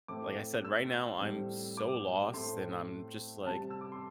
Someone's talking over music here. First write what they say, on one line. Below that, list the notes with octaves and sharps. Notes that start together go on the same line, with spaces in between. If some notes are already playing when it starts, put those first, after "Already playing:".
like I said, right now, I'm so lost, and I'm just, like,
A2 A3 C4 D6
E6
A2 G3 C4
D6
A2 A3 C4 C6
C3 G3 C4 A5
E6
D6
C6